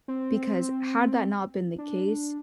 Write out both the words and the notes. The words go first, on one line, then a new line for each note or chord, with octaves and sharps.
Because had that not been the case,
C4
D4